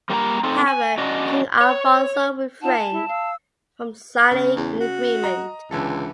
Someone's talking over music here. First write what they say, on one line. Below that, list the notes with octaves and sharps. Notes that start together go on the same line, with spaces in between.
However, King Alfonso refrained from signing an agreement.
G3 A#3 F#4 C5 G5 A#5
C4 D#4 A4
G#5
C#4 D4 F#4 D5 D#5
C#5
D#4 F4 F#5 A5
G#5
E4
F5 E6
C#3
E2
F#4
D#5 A#5
C#2 D3 E3 A4